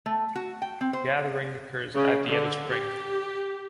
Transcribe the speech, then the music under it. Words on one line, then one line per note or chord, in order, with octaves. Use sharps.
Gathering occurs at the end of spring.
A3
F#4
G5
C4
C5
C#3
D3
G4